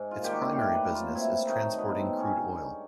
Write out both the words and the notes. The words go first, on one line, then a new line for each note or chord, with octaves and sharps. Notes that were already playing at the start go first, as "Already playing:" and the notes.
Its primary business is transporting crude oil.
Already playing: G#2
F4
D#3 G3 A#3 G4
F#4
A2 G4
B4
F#3 A#3
F4
C3 E4
D#3 F#3 A3 D#4
B2 B3
C4
G#3
C#4
G2